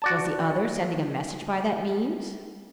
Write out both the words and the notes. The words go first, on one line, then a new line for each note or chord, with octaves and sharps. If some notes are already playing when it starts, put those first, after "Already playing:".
Was the other sending a message by that means?
F#4 D5 A5